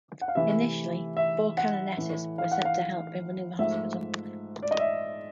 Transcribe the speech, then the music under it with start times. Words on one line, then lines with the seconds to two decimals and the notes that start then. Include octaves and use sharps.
Initially four canonesses were sent to help in running the hospital.
0.21 F#5
0.28 F5
0.35 C3 E3 A3 E5
1.17 E5
1.57 F#5
1.97 A2 E3 A3
2.38 F5
2.51 F#5
2.65 F5
3.59 G#2 F3 A3 E5
4.63 D5
4.71 D#5
4.80 E5